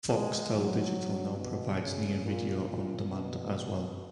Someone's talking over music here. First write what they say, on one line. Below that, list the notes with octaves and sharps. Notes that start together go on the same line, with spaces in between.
Foxtel Digital now provides Near Video on Demand as well.
G#3
F#3
B2
C#3
A#2
A#2
B2